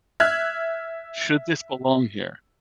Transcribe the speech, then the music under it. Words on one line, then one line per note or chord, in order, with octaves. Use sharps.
"Should this belong here?"
E5 F6 F#6 G#6